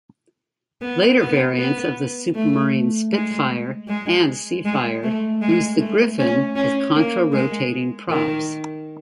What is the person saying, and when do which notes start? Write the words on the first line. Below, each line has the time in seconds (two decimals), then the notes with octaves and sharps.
Later variants of the Supermarine Spitfire and Seafire used the Griffon with contra-rotating props.
0.82 B3
1.20 B3
1.58 B3
2.35 A3
3.12 G#3
3.88 G#3
4.65 G#3
5.03 A3
5.41 G#3
5.79 A3
6.18 C#4
6.56 C#4
6.95 A#3
7.33 G#3
8.10 D#3